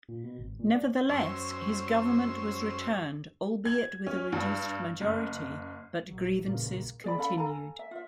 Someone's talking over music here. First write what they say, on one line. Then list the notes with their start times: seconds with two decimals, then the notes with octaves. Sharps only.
Nevertheless, his government was returned, albeit with a reduced majority but grievances continued.
0.09 A#2
0.24 B2
0.39 G#1
0.59 A#2
0.72 D4
1.09 F#2 C#4 C5 E6
3.65 G#6
4.07 C#4
4.32 G2
5.01 F#1
6.09 A#1 F#3
6.43 B1 E2 G2 A#2 C#3 A#3
7.04 G#4 D5 B5
7.18 C#4 A4 F5 B5
7.37 A4 F5 G#5 A#5
7.79 E5
7.91 F4 E5